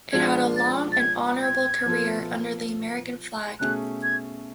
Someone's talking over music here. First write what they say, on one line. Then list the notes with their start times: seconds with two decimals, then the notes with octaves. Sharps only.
It had a long and honorable career under the American flag.
0.12 F3 G#3 D4 F4 G#6
0.57 A6
0.92 A6
1.00 G#6
1.42 G#6
1.86 F3 B3 F4 A4
3.60 B2 A3 C#4 G#4 F#6
4.03 G#6